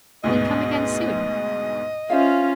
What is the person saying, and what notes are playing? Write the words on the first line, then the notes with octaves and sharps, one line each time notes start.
Then come again soon.
D2 G#2 B2 D#5
C#4 F4 C5 E5 F5